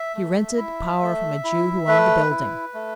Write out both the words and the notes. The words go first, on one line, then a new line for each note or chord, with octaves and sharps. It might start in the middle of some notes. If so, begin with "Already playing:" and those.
He rented power from a Jew who owned the building.
Already playing: E5
A3
E4
A3
E4
A3 B4
E4
A3